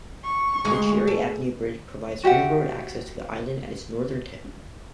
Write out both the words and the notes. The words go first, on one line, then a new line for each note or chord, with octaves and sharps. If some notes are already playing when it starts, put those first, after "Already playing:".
The Cherry Avenue Bridge provides railroad access to the island at its northern tip.
C#6
D2 G#3 G#4 F5
A4
F#4 G4 E5 F#5